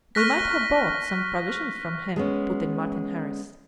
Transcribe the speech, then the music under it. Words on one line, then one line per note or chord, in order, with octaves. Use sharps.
"We might have bought some provisions from him," put in Martin Harris.
C#6 F6 F#6 A#6 B6
G#3 B3 C#4